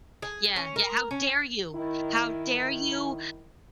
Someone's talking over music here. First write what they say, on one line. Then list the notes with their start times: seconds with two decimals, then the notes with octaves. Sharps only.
yeah, yeah, how dare you, how dare you
0.22 G#4
0.56 C#4
0.76 A#4
1.11 C#4
1.74 D#3 E4